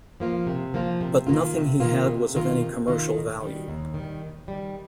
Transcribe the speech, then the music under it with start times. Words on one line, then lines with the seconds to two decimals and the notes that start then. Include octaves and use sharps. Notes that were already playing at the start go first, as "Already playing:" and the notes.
But nothing he had was of any commercial value.
0.20 F3 A#3 F4
0.47 C3
0.74 F3 A#3 F4
1.01 C3
1.27 D#3 A#3 F4
1.54 C3
1.80 D#3 A#3 F4
2.08 C3
2.35 D#3 A#3 F4
2.62 C3
2.87 D#3 A#3 F4
3.14 D#2
3.41 D#3 G3
3.68 D#2
3.94 D#3 G3
4.22 D#2
4.48 D#3 G3